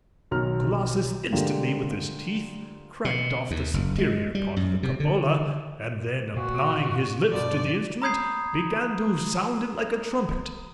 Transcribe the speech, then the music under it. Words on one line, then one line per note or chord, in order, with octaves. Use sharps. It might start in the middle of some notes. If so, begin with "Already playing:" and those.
Colossus instantly, with his teeth, cracked off the superior part of the cupola, and then applying his lips to the instrument, began to sound it like a trumpet.
B1 B2 D#3 C#5 A#5 F6
D3 G3 G#3 A#3 F4 G4
B2
D#2
F#1
G#3
G3
F#2
C3
D3
A#2 F#4
G2 B2 F3 D5
A#5 B5 D#6 G6 G#6 C7